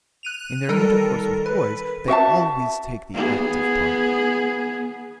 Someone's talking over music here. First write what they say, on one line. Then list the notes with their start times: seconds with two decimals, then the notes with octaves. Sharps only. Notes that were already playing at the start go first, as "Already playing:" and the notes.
In their intercourse with boys they always take the active part.
0.23 F#6 D#7 F7
0.68 D#3 G3 A4 A#4
1.46 B4
2.08 F#4 E5 F5 A5
3.14 B3 G#4